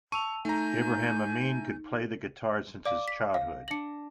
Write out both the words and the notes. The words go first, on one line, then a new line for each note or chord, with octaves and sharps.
Ibrahim Emin could play the guitar since his childhood.
A5 C#6 E6 D#7 F7
A3 D#4 G#5 A#5 G6
D5 F5 D6
B6
F5 A#6
D4 A#6 C#7 F#7